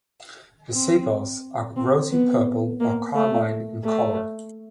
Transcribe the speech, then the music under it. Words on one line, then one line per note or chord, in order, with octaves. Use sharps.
The sepals are rosy purple or carmine in color.
C4
C4
B3
A#3
A3
A3